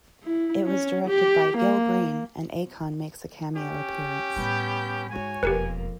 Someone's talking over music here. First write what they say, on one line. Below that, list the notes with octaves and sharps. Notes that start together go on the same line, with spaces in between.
It was directed by Gil Green, and Akon makes a cameo appearance.
E4
C#4
G4
A#3
C#4 G4
A2 G3 B3 B5 G6
G#2 F#4 C#5 G#5
E1 F2 A#3 G4 A#4 B4